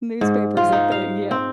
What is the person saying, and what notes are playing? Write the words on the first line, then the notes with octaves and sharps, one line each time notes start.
Newspaper's a thing. Yeah.
G#2
F4
D#4
F5
C4